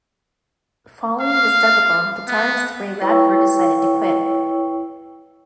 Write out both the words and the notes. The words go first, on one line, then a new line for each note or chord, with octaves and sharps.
Following this debacle, guitarist Ray Radford decided to quit.
F5
B3
E4 B4 C#5 G5 C#6 E6